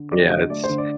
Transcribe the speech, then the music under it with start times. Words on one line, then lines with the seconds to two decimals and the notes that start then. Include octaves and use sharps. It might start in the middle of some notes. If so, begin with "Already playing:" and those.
Yeah, it's
Already playing: D3
0.11 F#3 D5
0.30 D3 D#5
0.50 A3 D5
0.64 C5
0.69 D3
0.78 D5